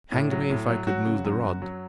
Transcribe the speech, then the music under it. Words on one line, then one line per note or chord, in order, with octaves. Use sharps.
Hang me, if I could move the rod!
A2
F#3
A2
F#3
F#3 F#4
C#3
F#2
F#2
F#3